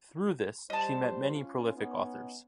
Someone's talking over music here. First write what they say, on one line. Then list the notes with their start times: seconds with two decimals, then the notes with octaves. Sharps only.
Through this, she met many prolific authors.
0.70 G3 C5 D#5 A5
1.34 C#4 F4
1.76 B3 C#4 D#4